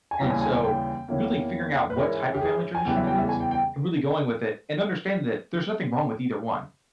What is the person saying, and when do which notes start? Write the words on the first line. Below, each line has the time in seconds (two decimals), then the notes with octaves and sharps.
And so really figuring out what type of family tradition it is and really going with it and understanding that there's nothing wrong with either one,
0.11 G#5
0.20 D#2 C#3 E3 G3 C#4 A#5
0.30 G#5
0.41 G#5
0.53 G#5
0.64 G5
1.08 E2 D#3 A#3 C#4 E4
1.90 B4
1.96 G#2 E3 G#3 C#4 E4 A#4
2.34 G4
2.41 G#4
2.75 G#5
2.85 E2 C#3 E3 G3 G5
2.97 E5
3.07 G5
3.19 E5
3.29 G#5
3.40 G5
3.51 G5